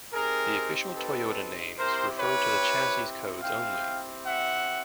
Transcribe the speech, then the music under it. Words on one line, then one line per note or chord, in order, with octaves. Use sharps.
The official Toyota names refer to the chassis codes only.
C4 D#4 G4 G#4 A#4
A4 B4
C4 E4 G4 A#4 C5
B4 C#5
C4 E4 G4 F5 G5
E5 F#5